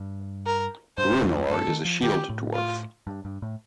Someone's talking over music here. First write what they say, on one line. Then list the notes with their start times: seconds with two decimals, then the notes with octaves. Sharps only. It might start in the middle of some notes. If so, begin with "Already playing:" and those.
Bruenor is a Shield Dwarf.
Already playing: G2
0.46 A#4
0.98 G2 C5
1.24 F2
1.50 G2 A4
1.68 D#3
1.85 F3
2.03 D#3 G4
2.30 A2
2.55 F4
3.07 G2
3.25 G2
3.42 A2